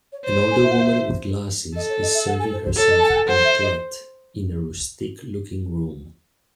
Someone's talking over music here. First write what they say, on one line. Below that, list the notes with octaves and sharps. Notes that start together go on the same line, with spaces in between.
An older woman with glasses is serving herself Raclette in a rustic looking room.
C#5
C5 C#5
C#5
G#5
E5
F#5
E5
A4 D#5
C#5
D#5
E5
F#5
G#5
C5
C5
A4 C#5
D#5
A5
G#5
F#5
G#5
C5 F#5
E5
D#5